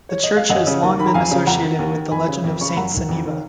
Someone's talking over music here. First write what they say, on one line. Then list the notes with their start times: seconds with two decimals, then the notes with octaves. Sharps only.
The church has long been associated with the legend of Saint Sunniva.
0.09 C#5
0.24 D#5
0.37 F5
0.49 F#2 D#5 F#5
0.67 C#3
0.82 D#2
0.99 D#3 B5
1.07 A#5
1.14 F2 F5 G#5
1.31 C#3
1.47 F2 F#5 A#5
1.63 D#3
1.79 D#2
1.95 D#3
2.11 F2 G#5 B5
2.28 C#3
2.44 F2
2.61 C#3 C#6
2.69 B5
2.76 F#2 F#5 A#5
2.93 D#3
3.09 F2
3.25 D#3